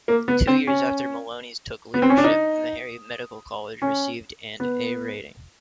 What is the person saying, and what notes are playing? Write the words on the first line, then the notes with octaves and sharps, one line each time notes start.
Two years after Mullowney's took leadership, Mehary Medical College received and 'A' rating.
A#3
B3
C4
C#4
B3
C4
C#4
D4
D#4
C#4
B3